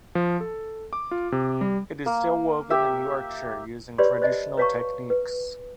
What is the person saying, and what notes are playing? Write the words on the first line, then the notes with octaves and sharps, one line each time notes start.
It is still woven in Yorkshire using traditional techniques.
F3
A4
D6
F4
C3
G3
A#3
G4 E5
G4 B4 C#5 D5 B5 C6
C5 D5 D#5 A5
B4 C#5 F5 A5 A#5 C#6
B4